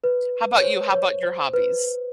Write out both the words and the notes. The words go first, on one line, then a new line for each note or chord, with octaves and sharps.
How 'bout you? How 'bout your hobbies?
B4
C#5
C5
C#5
C5
B4